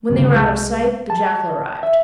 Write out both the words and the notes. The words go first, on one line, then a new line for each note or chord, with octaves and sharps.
When they were out of sight the jackal arrived.
D2 G2 C#3 A#3
C2 G#3
A5
E5